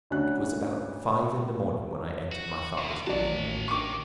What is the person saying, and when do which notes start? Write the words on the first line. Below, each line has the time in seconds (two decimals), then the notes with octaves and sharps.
It was about five in the morning when I entered my father's house.
0.10 D2 C#4 D4 F#4 F#6
2.32 F#4
2.78 B2
3.07 A1 D#2 F#3 C#4 D5 A5
3.68 D#3 C#6 D6